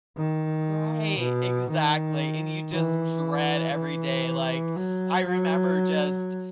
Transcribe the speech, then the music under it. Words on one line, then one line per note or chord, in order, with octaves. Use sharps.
Right, exactly, and you just dread every day, like, I remember just,
D#3
B2
D#3
E3
E3
F#3
F#3